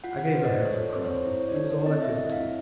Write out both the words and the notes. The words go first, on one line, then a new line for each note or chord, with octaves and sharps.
I gave her half-a-crown; it was all I could do.
F4 F#5
F#5
B4
F4 C5
D#5
D5
A4 C#5
C4 C5
C#5
C5
E4 C5
C#5
D5
A4 C#5
C#5
C4 D#5
E5
E4 D#5
F5